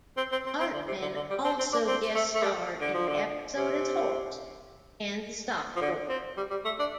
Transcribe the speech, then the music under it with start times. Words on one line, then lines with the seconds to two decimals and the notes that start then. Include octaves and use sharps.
Hartman also guest-starred in the episode as Horst and the stockbroker.
0.17 C4
0.32 C4
0.46 C4
0.60 C4
0.74 D3
0.88 C3
1.02 D3
1.16 D3
1.30 G3
1.44 C4
1.59 C4
1.73 D4
1.87 C4
2.14 A3
2.35 A3
2.43 G3
2.81 D3
2.94 F3
3.07 D3
3.56 C3
5.76 F3
5.81 D3
6.09 C4
6.37 G3
6.51 G3
6.65 A3
6.79 D4